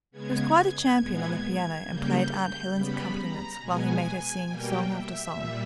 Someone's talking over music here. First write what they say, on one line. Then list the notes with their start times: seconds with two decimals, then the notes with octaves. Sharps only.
He was quite a champion on the piano, and played aunt Helen's accompaniments while he made her sing song after song.
0.11 C#3 G#3 B3 G#6
0.55 G#6
0.98 A#2 G#3 B3 G#6
1.85 C#3 G3 A#3 G6
2.72 C#3 G3 B3 B5
3.15 A#5
3.59 B2 G#3 B3 G#5
4.45 B2 G3 A#3 G5
4.90 E5
5.33 A#2 G3